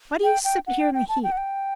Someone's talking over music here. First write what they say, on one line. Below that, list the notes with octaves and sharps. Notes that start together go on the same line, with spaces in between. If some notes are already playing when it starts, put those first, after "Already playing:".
Why do you sit here in the heat?
G5
G5
F#5
G5
G5
A5
G5
F#5
G5